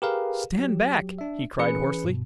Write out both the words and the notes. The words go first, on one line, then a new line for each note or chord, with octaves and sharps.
"Stand back!" he cried, hoarsely.
G4 G#4 A#4 B4 F5
F#3 G4
D4 E5
E3 C#4 G#4 B4 C#7
G2 B2